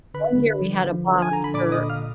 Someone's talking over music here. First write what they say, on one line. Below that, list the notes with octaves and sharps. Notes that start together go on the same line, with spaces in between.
One year we had a box for
D3 B4 B5
D3
F3
F3
D3
G#5
D3 A#5
B5
A#2 D5 D6
D#5 D#6
A#2
F5 F6